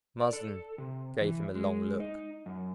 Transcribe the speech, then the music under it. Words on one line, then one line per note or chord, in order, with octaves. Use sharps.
Marsden gave him a long look.
D5
A4
C3
E3
G#3
D#4
F#2